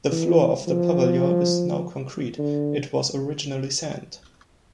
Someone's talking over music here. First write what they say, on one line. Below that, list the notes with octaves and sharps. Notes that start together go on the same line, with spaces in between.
The floor of the pavilion is now concrete; it was originally sand.
E3
F3
D3